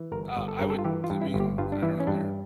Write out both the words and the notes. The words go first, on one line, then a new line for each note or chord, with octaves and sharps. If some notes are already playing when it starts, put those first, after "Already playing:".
Uh, I would I mean, I don't know what your
Already playing: E3
G1 A#4
G1
A4
G2 A#4
A4
F4
E3 G4
F4
G2
E4
G1
G4
G2 F4
D4
E3 E4
C#4
G2 D4